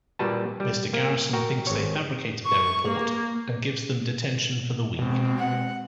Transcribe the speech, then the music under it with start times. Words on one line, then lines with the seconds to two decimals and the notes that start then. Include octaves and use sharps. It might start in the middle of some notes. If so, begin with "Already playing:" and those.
Mr. Garrison thinks they fabricated their report and gives them detention for the week.
0.19 A#2 G3 F#4 B4 A5
0.60 G3
0.93 A#3
1.33 F#4 A#4 G5
1.67 G#1 C#5
2.46 C#6
2.88 A#3
4.99 B2 G#3 C4
5.38 F#5